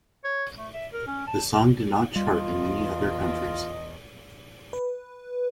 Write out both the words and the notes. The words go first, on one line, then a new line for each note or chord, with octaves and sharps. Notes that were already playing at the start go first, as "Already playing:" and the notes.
The song did not chart in any other countries.
C#5
A3
E5
A#4
C#4
A5
E2 G3 F4 D#5
B4